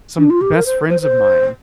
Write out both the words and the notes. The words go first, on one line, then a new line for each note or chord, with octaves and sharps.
some best friends of mine,
D4
F4
G4
A#4
C5
C5
C5